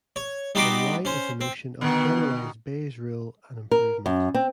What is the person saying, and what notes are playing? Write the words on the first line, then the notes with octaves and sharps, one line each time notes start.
Then why is the notion of generalized Bayes rule an improvement?
C#5
G3 B3 D#4 F#4 C6 D6
C#4 C5
C4
B2 D3 D#3 B3
A#4
F#2
C4